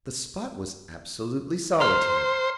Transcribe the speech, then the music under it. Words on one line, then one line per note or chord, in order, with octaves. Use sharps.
The spot was absolutely solitary.
C5 A#5 C6 F6